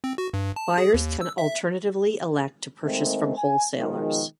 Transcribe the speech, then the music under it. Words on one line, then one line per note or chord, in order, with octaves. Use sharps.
Buyers can alternatively elect to purchase from wholesalers.
C4
F#4
G2
A5
G#4
D#2
E6
E5
D#3 G#3 A3 C4
G#5
B2 D#3 F3 G#3